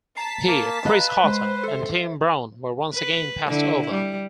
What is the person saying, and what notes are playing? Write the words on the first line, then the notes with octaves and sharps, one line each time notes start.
He, Cris Carter, and Tim Brown were once again passed over.
A5 A#5 B6 C7
A#3
B4 D#5 F5 A#5
G#3 C5
A4 E5
B4
D3 E4
G3